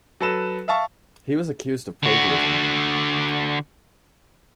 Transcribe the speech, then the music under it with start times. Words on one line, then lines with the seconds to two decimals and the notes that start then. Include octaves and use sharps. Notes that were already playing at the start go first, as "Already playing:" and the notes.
He was accused of plagiarism.
0.21 F#3 A4 B4 E7
0.68 E5 F5 A5 C#6
2.03 D3 F#4